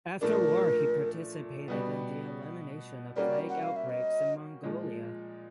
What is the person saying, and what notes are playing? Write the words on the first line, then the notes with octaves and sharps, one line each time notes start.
After war he participated in the elimination of plague outbreaks in Mongolia.
A#2 F3 A3 D4 A#4
B2 G3 B3
G3 A#3 C#4 F#4 D5
F#5
F5
E5
D#5
A#2 F3 G#3